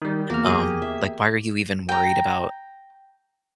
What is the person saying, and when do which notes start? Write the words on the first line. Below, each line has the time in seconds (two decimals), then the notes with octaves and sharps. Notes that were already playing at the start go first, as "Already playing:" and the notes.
um, like, "Why are you even worried about
0.02 D#3 G3
0.30 E2 A#3 F#4 F6
0.45 G4 G#4 D#5
0.82 E5
1.89 G5 A#5